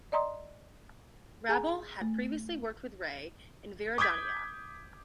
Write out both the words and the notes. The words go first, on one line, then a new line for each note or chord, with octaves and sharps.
Rabal had previously worked with Rey in "Viridiana".
D5 D#5 A#5 C6 D#6
G#4 G#5 A#5
A3
D6 D#6 G6 G#6 B6